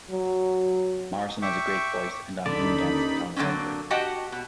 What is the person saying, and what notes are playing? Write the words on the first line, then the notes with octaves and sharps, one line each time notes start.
Morrison has a great voice and on "Moondance" he found a home for it.
F#3
E5 G5 C#6 D6
D#2 D3 C#4 D#4 D5 B5
D3 F#3 A#3 C4 C#4
F#4 G4 D#5 F#5 G5 A5
B2